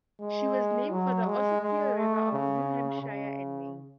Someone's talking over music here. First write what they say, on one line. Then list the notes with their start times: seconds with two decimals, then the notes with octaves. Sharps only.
She was named for the Ossipee River of New Hampshire and Maine.
0.20 G#3
0.91 F#3
1.27 G#3
1.62 G#3
1.97 A3
2.32 C#3
3.02 C#3